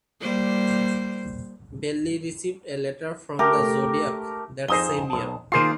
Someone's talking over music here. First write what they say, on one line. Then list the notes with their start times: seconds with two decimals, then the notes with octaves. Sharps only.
Belli received a letter from the The Zodiac that same year.
0.21 G3 A#3 C5
3.39 A3 G4 A#4
4.68 F2 D#4 G#4 C5 D#6 G7
5.10 B1 A5
5.52 D#3 A#3 F4 G#4 C5 C7